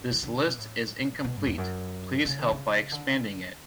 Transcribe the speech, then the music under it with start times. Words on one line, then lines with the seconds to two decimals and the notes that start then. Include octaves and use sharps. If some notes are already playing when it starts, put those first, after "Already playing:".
This list is incomplete; please help by expanding it.
Already playing: F#2
0.12 E3
0.23 D3
0.35 C#3
0.45 B2
0.58 A2
1.24 B2
1.36 G2
1.47 E2
1.58 F#2
2.25 C#3
2.38 D3
2.52 C#3
2.92 D3